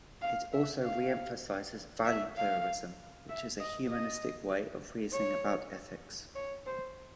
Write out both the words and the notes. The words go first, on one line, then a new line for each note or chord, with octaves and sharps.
It also re-emphasises value-pluralism, which is a humanistic way of reasoning about ethics.
F5
E5
F5
E5
F5
E5
D#5
D#5
C#5
C#5
C5